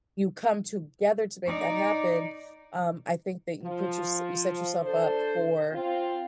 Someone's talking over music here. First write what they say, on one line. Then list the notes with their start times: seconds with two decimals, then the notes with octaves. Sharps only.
you come together to make that happen, um, I think that you put yourse you set yourself up for,
1.46 D#4 D5
3.63 F3
4.83 D4 A4 C5
5.73 C4 F4